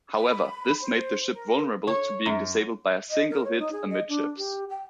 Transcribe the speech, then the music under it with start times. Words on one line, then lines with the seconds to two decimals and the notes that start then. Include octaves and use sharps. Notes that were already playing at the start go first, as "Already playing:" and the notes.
However, this made the ship vulnerable to being disabled by a single hit amidships.
0.18 B5
0.81 C5
1.32 A#4
1.87 C#5
2.26 F#2
3.10 D#5
3.30 A#4
3.44 C#5
3.59 D#4
3.72 G#4
3.90 D#5
4.09 D4
4.37 G4
4.69 G5